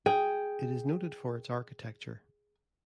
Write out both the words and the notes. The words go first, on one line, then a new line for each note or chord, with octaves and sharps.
It is noted for its architecture.
G#4 G5